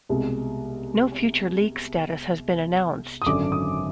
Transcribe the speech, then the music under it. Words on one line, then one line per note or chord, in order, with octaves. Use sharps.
No future league status has been announced.
C2 B2 G#3
D#6
G#1 F#2 D3 F#3 D6
D#6